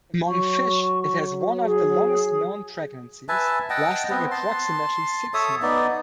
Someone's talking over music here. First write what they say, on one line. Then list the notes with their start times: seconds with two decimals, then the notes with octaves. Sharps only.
Among fish it has one of the longest known pregnancies, lasting approximately six months.
0.28 F#3 C#6
1.65 G#4
3.29 B4 E5 G#5 A5
3.70 D#5 F#5 G5 A5
4.10 B3 C4 B4
4.31 A5 C6
5.34 A4 C#5 E5 D#6
5.62 B3 D#4 D5